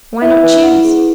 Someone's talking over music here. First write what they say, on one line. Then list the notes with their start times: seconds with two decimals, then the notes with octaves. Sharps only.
Why not choose?
0.22 E4 E5
0.43 B4
0.63 E4 F#5
0.84 G#4